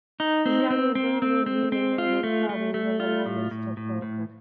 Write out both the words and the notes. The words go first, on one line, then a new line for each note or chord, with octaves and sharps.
His younger brother William Robert Darwin was a London stockbroker.
D#4
C4
C4
C4
C4
C4
C4
F4
A3
A3
A3
F4
A2
A2
A2
A2